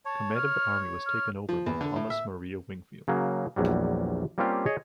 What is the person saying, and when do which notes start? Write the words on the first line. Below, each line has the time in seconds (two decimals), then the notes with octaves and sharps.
Command of the army was taken over by Thomas Maria Wingfield.
0.05 C#5 A5
0.35 F6
1.06 F6
1.49 F3
1.66 E2
1.81 D3
1.96 A2
2.10 E5
3.08 C#3 F#3 A#3
3.56 A#1 E2 F#3 G3
4.38 G3 A#3 C4 C#4 F4 G4
4.66 G#4 C#5 D#5